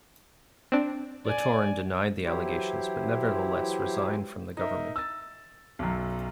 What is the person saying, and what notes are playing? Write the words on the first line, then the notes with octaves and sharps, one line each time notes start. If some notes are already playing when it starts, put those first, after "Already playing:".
Littorin denied the allegations, but nevertheless resigned from the government.
C4 D4
D5 G#5
E3 F#3 E4 G4 C5
D#4 A#4 E5
E6 A6
B1 F#2